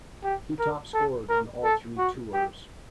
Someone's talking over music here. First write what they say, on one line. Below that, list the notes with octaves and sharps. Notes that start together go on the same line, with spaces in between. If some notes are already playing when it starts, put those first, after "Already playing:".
He top-scored on all three tours.
G4
A#4
A4
A#4
A4
F#4
G4